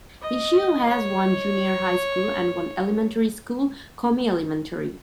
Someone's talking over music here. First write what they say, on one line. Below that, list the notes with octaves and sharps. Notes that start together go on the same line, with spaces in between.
Ichiu has one junior high school, and one elementary school, Komi Elementary.
D#5
C#5